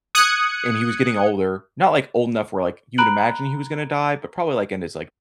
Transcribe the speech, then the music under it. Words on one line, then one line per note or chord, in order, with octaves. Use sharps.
and he was getting older not, like, old enough where, like, you would imagine he was gonna die, but probably, like, in his, like,
D#6 F#6 G#6 C#7
A#5 B5 F#6 D7 F#7